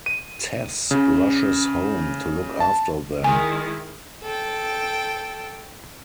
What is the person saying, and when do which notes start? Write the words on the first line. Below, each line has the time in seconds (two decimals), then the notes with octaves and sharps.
Tess rushes home to look after them.
0.06 D#7
0.91 C#3
2.60 A5
3.24 D#3 G#3 E4 G#5
4.23 A4 G5